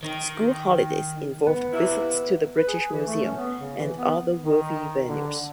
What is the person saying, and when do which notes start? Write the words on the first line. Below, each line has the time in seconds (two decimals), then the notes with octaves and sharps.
School holidays involved visits to the British Museum and other worthy venues.
0.03 D#3
1.46 B3
1.72 C3 A#3 E4
2.56 B4
2.68 G#4
2.91 E3
3.07 A3
3.25 C#4
3.37 B3
3.58 C#3
3.78 E3
3.96 B3
4.45 D#3
5.08 D3